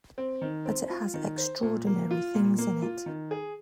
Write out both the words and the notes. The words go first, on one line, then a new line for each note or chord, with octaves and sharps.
But it has extraordinary things in it.
C4
D#3
C4
F4
D#3
C5
A#2
A#3
F4
A#2
A#3
F4
D#3
G#4